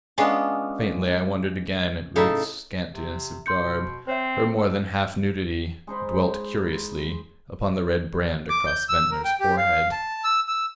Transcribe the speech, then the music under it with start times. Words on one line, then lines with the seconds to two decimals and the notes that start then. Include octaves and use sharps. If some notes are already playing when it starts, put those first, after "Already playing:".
Faintly I wondered again at Ruth's scantiness of garb, her more than half nudity; dwelt curiously upon the red brand across Ventnor's forehead.
0.18 G#3 B3 C#4 D4 F4
2.16 A2 C#3 D#4 E4 A4
2.93 C3
3.46 C6 G6 C#7
3.62 B2
4.07 C4 C5 C#5 E5
4.57 A4
5.87 G#3 D#4 C5 B5
8.50 D6
8.67 G6
8.89 E6
9.11 A#4
9.25 G5
9.40 G4
9.57 F5
9.92 A5
10.24 E6
10.48 E6